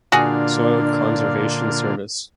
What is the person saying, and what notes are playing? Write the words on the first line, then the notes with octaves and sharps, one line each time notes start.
Soil Conservation Service.
A#2 D3 D4 F4 F#4 G#4